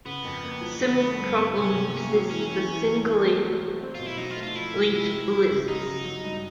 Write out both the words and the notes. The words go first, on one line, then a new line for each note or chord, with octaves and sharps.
A similar problem exists for singly linked lists.
C#3 B3
F2
A#3
F3
D3 B3
A3
G2
A3
C3 C#4
C3
A#3
F#3
E3 C#4
E3
E3
E3
A3
C4
F#3
F#3
C4
B2 F4
E4
F#3 D#4
F4
A3
F4
F3 E4
C3
F3
F3
F#3
C#3
F#3 D#4
C#3
F#3
G2